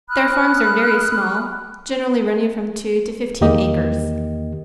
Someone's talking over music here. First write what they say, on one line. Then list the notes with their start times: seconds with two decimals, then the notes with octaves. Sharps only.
Their farms are very small, generally running from two to fifteen acres.
0.10 B5 D#6 F6 F#6
3.41 E2 D#3 A#3 G4 D#5